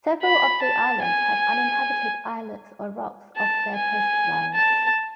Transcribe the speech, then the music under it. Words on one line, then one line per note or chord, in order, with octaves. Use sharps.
Several of the islands have uninhabited islets or rocks off their coastlines.
B5
A5
G#5
A5
G#5
A5